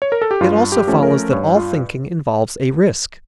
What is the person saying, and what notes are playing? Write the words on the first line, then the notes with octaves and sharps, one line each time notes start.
It also follows that all thinking involves a risk.
C#5
A#4
A4
G4
G2 F4
G4
F3 A3 C#4
A#4
G2 C#5
F4